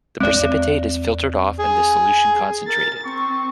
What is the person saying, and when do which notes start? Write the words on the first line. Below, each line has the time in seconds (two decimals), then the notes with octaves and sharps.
The precipitate is filtered off and the solution concentrated.
0.20 E2 G#3 C4 D5
1.59 G#4
2.68 A#4 A6
3.04 C4 C#6